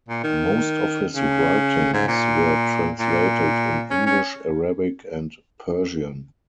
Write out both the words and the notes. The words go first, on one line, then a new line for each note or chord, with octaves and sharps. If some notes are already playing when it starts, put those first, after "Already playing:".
Most of his writings were translated in English, Arabic, and Persian.
A#2
D#3
C#3
G#2
A#2
A#2
C#4
C#4